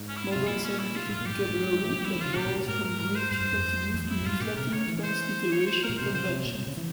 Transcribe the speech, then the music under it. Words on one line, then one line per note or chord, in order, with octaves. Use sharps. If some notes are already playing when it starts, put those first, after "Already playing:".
Modern scientific vocabulary that borrows from Greek continues to use Latin transliteration conventions.
Already playing: G#2
C#4
E4
C3 F4
A#2 E4
C#4
E4
F4
G#2 F4
A#2
G#2 G4
A#2
G#2
G#2
E3
F3
G3 E4
E3
F4
C#3
A#2 G4
A#2
A#2
G#2 A#4
A#4
A#4
C5
G2 C5
G2
F2
E2
F2
E4
G2
G#2 F4
A#2 G4
C3 A#4
C#3 C#5
E3
C5
C#5
C5
A#4
A#2
C3 C5
C#3 C5
C3
A#2
C3
C#3
E3